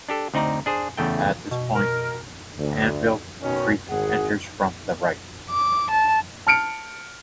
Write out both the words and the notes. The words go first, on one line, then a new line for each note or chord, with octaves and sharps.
At this point, Anvil Creek enters from the right.
D4 G4 A4
D2 C4 D#4 D5 A#5
D4 G#4 C5
E2 C#3 A3 G5
B2
A#4
D2
B2 D#3 C#4
G#1 G#4 F#5
D6
A5
A5 F6 C#7 D7